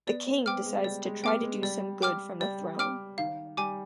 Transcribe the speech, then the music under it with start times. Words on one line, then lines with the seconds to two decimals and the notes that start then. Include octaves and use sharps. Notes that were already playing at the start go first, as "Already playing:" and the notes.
The king decides to try to do some good from the throne.
0.07 B3 D5
0.26 C4
0.46 B3 G5 D6 F6
0.65 G#3
0.84 G3 D5
1.05 G#3
1.23 B3 G5 D6 F6
1.43 G#3
1.63 G3 D5
2.02 G5 D6 F6
2.40 G3 D5
2.79 G5 D6 F6
3.18 D#3 F5
3.57 G3 G#5 D6